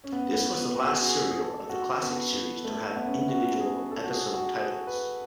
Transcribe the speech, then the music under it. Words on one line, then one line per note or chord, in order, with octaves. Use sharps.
This was the last serial of the classic series to have individual episode titles.
C#4
B3
B3
B3
F#4
G#4
F#4
G#4
G#4
A4
F#4
B3
B3
A3
B3
C#4
B3
F#4
G#4
A4
F#4
G#4
F#4
G#4
B4